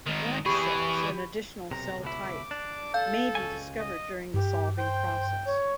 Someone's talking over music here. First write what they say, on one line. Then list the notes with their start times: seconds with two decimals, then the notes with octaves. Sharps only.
"Black" cells, an additional cell type, may be discovered during the solving process.
0.07 G#2 D#3
0.46 E3 G4 G#4 B5 C#6
1.71 B1 C3 A#5
2.02 C#2 B2 E4 D6
2.51 D4
2.94 A4 F5 G6
3.35 C#2 C#4 G#5
3.80 D#5
4.34 G2 G4
4.78 C5 G5
5.46 C#5